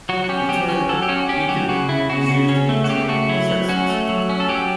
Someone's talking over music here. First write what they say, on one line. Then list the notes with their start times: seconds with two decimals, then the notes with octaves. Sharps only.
The term "idu" is used in two senses.
0.09 F#3 F#4
0.24 F#4
0.29 C#4 G4
0.49 F#3 G4
0.69 C#4
0.89 F#3 A4
1.02 G4
1.09 C#4 F#4
1.29 C#4 G4
1.48 F#3 G4
1.68 C#3 F#4
1.89 C#3 E4
2.09 C#3 F#4
2.29 C#3
2.49 C#4
2.69 A3
2.84 F#4
2.89 C#3 G4
3.09 A3 F#4
3.29 F#3 E4
3.50 F#3
3.69 C#4 F#4
3.90 A3
4.09 F#3
4.29 C#4
4.40 A4
4.49 F#3 G4